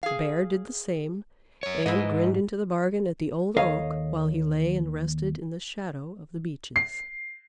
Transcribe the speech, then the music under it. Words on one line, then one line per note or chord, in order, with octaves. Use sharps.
The Bear did the same, and grinned into the bargain at the Old Oak while he lay and rested in the shadow of the Beeches.
G#4 F5
F#2 C#5
G#2 E4 B4 D#5
D#2 A4 C#5 D#5 F5
C7